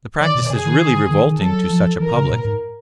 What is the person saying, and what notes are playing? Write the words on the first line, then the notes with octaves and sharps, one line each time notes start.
The practice is really revolting to such a public.
D#3 D5
B2
C3 G#4
D#3
E3
D#3
D3
D#3
D#3
F#3 A4
F3
E3 A#4
C#3
A#2
G#2